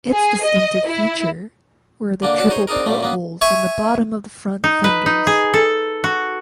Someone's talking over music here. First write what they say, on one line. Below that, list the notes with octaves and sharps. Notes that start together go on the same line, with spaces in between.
Its distinctive feature were the triple portholes on the bottom of the front fenders.
G#4
D#5
E4
D3 A#3 D4
C#4 D4 F#4 A5
D#4 G#4 C5 C#5
C4 D4 D#4 G#4 A#4
F#2 A#2 G3 A3
F#2 A#3 B3
C#5 E5 G#5 C#6
D#4
B4
D#4
G#4
A4
F#4